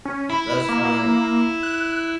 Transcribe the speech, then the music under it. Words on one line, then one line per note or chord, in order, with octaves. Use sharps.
that's funny.
C#4
E4 B5
A#3
F#6